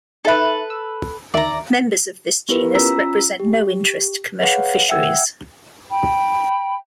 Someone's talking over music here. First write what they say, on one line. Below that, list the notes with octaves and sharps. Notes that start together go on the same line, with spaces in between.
Members of this genus represent no interest to commercial fisheries.
D#4 A4 B4 E5
E6
D2 D#3 D5 E5 A#5
B3 E4 G4 A#4 B4
C#4 F4 A#5 E6 B6
G4
G#4 B4 C#5 F5 F#5
E5 F#5 G5 E6 G#6
G5 B5